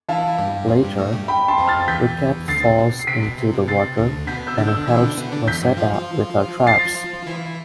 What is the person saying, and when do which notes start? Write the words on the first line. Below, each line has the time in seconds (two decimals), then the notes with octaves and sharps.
Later, Riquet falls into the water when he helps Rosetta with her traps.
0.09 E3 E4 F5 A5
0.38 G2 G3
0.68 F2 F3
0.83 G2 G3
0.98 A2 A3
1.13 G2 G3
1.28 G5 B5
1.48 A5 C6
1.58 F2 F3
1.68 F6 A6
1.88 E2 E3 G6 B6
2.18 E2 E3
2.48 D2 D3 A6 C7
2.63 C3
2.78 B2
2.99 C7
3.07 C3 B6 D7
3.23 B2
3.38 C3
3.53 B2
3.68 C3 A6 C7
3.97 D2 D3
4.27 B2 B3 G6 B6
4.47 E6 G6
4.58 D3 D4
4.67 E6 G6
4.87 E3 E4
4.96 C4
5.03 D3 D4
5.17 B2 B3
5.32 D3 D4
5.47 E2 E3 G6 B6
5.62 G2 G3
5.77 F3 F4
5.92 F3 F4
6.67 A6 C7
7.27 E3 E4